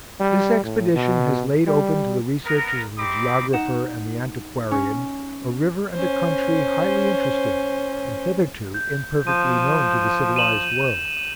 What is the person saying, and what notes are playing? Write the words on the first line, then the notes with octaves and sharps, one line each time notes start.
This expedition has laid open to the researches of the geographer and the antiquarian a river and a country highly interesting, and hitherto imperfectly known to the civilized world.
G3
A2
B2
G3
B3 A#4
C4 D#4 G4 B5 D6
D#4 F#5 E7
C#4
C#4 C5
G6
F3 G6 D#7
D#7 E7 F#7